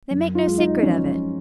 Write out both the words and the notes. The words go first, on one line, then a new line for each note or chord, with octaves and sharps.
They make no secret of it.
F#2
F4
G#3
D#4
F3 C#4